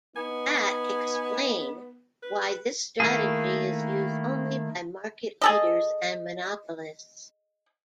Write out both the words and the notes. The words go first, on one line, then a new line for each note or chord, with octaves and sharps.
That explain why this strategy is used only by market leaders and monopolists.
B3 D#4 G#5
B4
D#3 A3 A#3 E4 G#4
G#4 A4 D#5